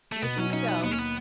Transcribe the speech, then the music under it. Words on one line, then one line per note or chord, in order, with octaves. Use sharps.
"You think so?"
A3
B2 B3
F#3 C#4
C#4 D#4
B3 D#4
D#2 B3
C#4
B3